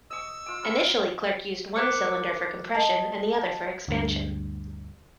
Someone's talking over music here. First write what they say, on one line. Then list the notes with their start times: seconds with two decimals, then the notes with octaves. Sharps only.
Initially Clerk used one cylinder for compression and the other for expansion.
0.10 D#5 C#6 E6
0.46 F4 D6
0.63 B3 C#4 A#4
1.76 A#4 C5 D6 F#6 C#7
2.75 D#5 A5
3.88 D2 G2